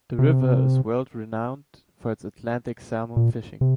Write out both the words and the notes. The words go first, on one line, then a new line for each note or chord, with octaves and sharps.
The river is world-renowned for its Atlantic salmon fishing.
C3
A#2
C3